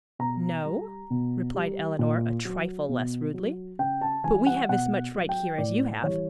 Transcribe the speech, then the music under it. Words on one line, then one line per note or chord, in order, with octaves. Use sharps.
"No," replied Eleanor a trifle less rudely, "but we have as much right here as you have."
B2 A#5
G3
B2
G3
A#2
F#3
B2
F#3
C#3 G5
A5
E3 G3 G#5
F#5
B2 F#5
F#3
G5
A2 D5
E3 G3 C#5